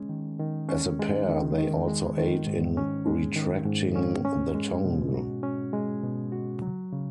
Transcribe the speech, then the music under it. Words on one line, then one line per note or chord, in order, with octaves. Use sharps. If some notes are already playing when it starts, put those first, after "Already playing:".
As a pair they also aid in retracting the tongue.
Already playing: G#3 C#4
D#3
D#3
C#4
G#3
D#3
D#3
G#3
D#3
G#2
C#4
G#3
D#3
G#2
C#4
C#4
G#3
B2
F#4
C#4
G#3
B2
F#4
F#3
C#3